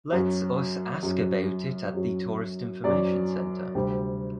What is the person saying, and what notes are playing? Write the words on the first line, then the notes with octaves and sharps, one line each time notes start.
Let’s us ask about it at the tourist information center.
F#2 F#3
F#2 F#3
F#2 F#3
F#2 F#3 D5
D2 C3 G3 G4